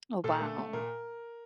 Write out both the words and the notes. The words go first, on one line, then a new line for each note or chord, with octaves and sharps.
Oh, wow.
A#2 A4
A3
A3
A#2 A#4